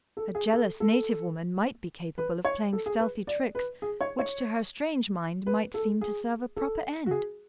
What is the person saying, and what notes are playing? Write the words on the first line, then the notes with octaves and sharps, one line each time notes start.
A jealous native woman might be capable of playing stealthy tricks, which, to her strange mind, might seem to serve a proper end.
A4
G#4
A4
A4
B4
C#5
A4
G#4
B4
D5
B4
G#4
C#5
C#5
B4
A4
G#4
A4
F#4
G#4